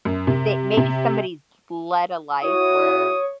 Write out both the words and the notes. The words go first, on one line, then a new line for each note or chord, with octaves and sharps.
they maybe somebody's led a life where
F#2
C3
C3
E4 F#4 C#5 D#6